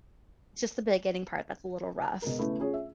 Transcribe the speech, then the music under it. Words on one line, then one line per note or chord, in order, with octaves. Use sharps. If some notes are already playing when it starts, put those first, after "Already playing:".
Just the beginning part that's a little rough.
B2 G#3 A#4
C#3 A3 B3 E4
C#4 F4 G#4 C#5
E5